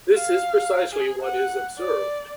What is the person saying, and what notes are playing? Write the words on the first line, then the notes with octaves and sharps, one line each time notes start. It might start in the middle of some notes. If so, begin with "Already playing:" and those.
This is precisely what is observed.
F5
G#4
F#5
D5